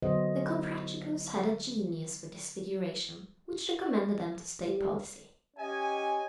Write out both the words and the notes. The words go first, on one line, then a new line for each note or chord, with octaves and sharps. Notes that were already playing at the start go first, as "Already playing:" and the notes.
The Comprachicos had a genius for disfiguration which recommended them to state policy.
D3 F#3 B3 F#4 C5 D#5
G3
C#4 G4 D#5 G#5